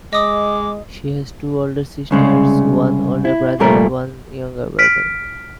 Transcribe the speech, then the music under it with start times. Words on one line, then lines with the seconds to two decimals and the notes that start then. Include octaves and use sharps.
She has two older sisters, one older brother and one younger brother.
0.13 G#3 D#5 D6 D#6
2.11 C2 C#3 G#3
3.25 E4
3.60 C2 F2 A#2 G3 A3 A#4
4.79 F6 B6 D7